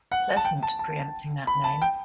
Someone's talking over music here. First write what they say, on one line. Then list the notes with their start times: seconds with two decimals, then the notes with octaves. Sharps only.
Pleasant preempting that name.
0.12 F#5
0.37 A5
0.45 G5
0.63 A5
0.79 A5
1.47 B5
1.64 A5
1.82 G5